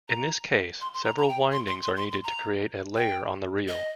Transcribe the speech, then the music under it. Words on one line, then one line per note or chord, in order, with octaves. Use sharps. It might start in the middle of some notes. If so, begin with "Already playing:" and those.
In this case, several windings are needed to create a layer on the reel.
A#5
C6
C6
A#5
A#5
G5
C6
C6
C6
C6
C6
A#5
G5
D#5